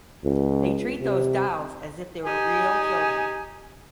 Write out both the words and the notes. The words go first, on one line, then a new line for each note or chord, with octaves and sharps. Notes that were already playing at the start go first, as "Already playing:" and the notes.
They treat these dolls as if they were real children.
C#2
C3
D#4 G4 G#4 G#5